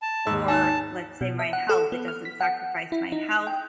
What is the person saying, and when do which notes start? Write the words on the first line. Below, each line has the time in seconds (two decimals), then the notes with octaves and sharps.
or let's say my health, it doesn't sacrifice my health,
0.02 A5
0.27 D#2 G#2 E6
0.48 D#4 G#5 A5
1.21 B2
1.39 E5
1.53 F#5
1.69 A4
1.92 B3
2.08 F6
2.25 B6
2.41 F#5
2.92 E4
3.12 D#4
3.47 G5